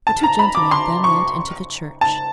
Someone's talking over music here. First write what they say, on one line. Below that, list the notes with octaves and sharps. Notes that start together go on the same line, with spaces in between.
The two gentlemen then went into the church.
A5
A#5
B5
D6
C6
C#6
A5